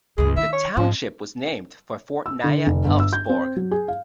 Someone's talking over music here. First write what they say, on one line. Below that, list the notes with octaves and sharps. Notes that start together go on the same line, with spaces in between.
The township was named for Fort Nya Elfsborg.
C#2 G2 G#4
D#3 E5
C#5
G#2 F3
E6
D3
F1
G1
E6
G6
C4
F#3
G#4
F5